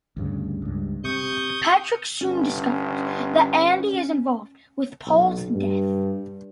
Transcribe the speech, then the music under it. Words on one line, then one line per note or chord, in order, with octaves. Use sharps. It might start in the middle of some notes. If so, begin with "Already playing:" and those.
Patrick soon discovers that Andy is involved with Paul's death.
D2 G2 C#3
C#2 G2
C3 C#6 D#6 G6
G1 C#4
B1
G2